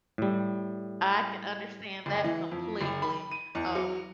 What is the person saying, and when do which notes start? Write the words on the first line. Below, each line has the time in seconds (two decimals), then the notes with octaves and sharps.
I can understand that completely. Um,
0.18 A2 G3
2.06 F#1
2.24 E3
2.51 F2
2.81 F#1
3.02 B5
3.31 D#7
3.55 E2
3.75 F#3